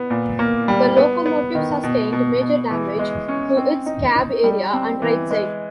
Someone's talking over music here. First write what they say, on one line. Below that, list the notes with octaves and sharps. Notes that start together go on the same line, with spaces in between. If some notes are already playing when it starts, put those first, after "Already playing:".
The locomotive sustained major damage to its cab area and right side.
Already playing: B3
A#2
A#3
G3
B3
B3
D#3
B2
B2
B2
E3
G#3
C#4
C4
D#4
D#4
G3
C4
E3
G#3